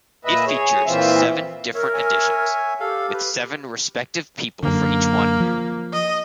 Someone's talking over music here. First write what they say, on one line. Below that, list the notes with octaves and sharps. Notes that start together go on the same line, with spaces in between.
It features seven different editions, with seven respective people for each one.
A#2 B4 D#5 E5
G#4 C#5
A#2 E3 C4 F4 E5
A#4 C#5 E5
C#5 E5 G#5
G4 A4 F5
B4
F#2 D3 A#3
F3
D#5